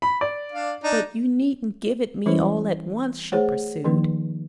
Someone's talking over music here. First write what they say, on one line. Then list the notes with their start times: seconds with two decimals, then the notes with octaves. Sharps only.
'But you needn't give it me all at once,' she pursued.
0.02 B5
0.21 D5
0.52 D4 F5
0.84 D4 D#4
2.26 E3 G3 C#4 E4 B4 C5
3.32 A3 G#4 C5 C#5 F#5
3.85 D#3 F3 A#3 D#4 B4